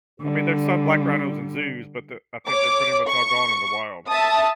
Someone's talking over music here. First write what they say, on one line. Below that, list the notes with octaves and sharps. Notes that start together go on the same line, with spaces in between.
I mean, there's some black rhinos in zoos, but the I think they're pretty much all gone in the wild.
D3 G3
C#5 D6
C#6
E5 A5 D#6